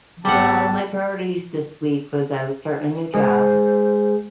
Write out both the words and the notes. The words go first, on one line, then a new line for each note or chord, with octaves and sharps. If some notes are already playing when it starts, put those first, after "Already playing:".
Well, my priorities this week was, I was starting a new job,
G#1 G3 B3 C4 G4 F#5 A5
G#3 G#4 C5